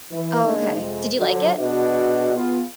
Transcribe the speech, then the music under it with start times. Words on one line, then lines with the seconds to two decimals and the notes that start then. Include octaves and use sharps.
Oh, okay. Did you like it?
0.11 E3
0.44 C#3 G#3 A#3 D4 D#4
0.76 F2 C3 G#3
1.17 D3 F3 F#3
1.57 B2 D4 F#4 G#4 B4 D#5
2.35 B3 F4 G#4